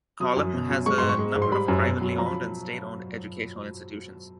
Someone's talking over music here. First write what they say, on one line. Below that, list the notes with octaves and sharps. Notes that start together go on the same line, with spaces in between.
Kollam has a number of privately owned and state-owned educational institutions.
F#3 D#6
F#2
B2
F#3
G#3 C#6
G#2 C6
C#6
G#3
G#2
C6
G3 B5
F#2
B2
F#3
F3 A#5
B5